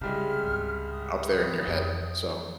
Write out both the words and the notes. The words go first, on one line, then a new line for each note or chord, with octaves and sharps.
up there in your head. So,
C2 C#3 G3 G#3 F6
C#2 G#2
D#6
F2